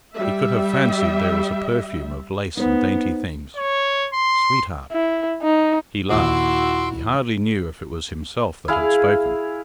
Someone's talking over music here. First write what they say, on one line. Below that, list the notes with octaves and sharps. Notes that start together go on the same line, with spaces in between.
He could have fancied there was a perfume of lace and dainty things. "Sweetheart!" He laughed--he hardly knew if it was himself that had spoken.
G3 E5
B3 D#4 C5
C#5
C6
E4
D#4
D#2 A#2 E4 F#4 C6 D6 E6
E4 G#4 F5